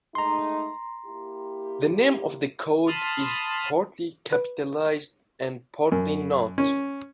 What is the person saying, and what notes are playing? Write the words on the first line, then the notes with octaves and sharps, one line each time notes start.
The name of the "Code" is partly capitalized and partly not.
G#3 A3 D#4 A#5 C6
A#3 E4 G4
A5 B5 C6 D#6 F6
B4
F#2
C#4